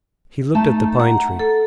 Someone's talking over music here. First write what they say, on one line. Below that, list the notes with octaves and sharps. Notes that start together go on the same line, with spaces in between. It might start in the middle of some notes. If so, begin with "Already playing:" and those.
He looked at the pine-tree.
A3 D#4 A5
F#5 A#5
A4